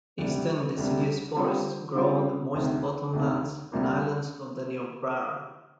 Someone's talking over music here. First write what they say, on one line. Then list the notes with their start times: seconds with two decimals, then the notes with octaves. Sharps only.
Eastern deciduous forests grow on the moist bottom lands and islands of the Niobrara.
0.18 D2 C3 G3
0.77 D2 C3 G3
1.36 D3 G3 C4 F4
1.95 D3 G3 C4 F4
2.54 D2 C3 D#3
3.13 D2 C3 D#3
3.72 D2 C3 G3 A#3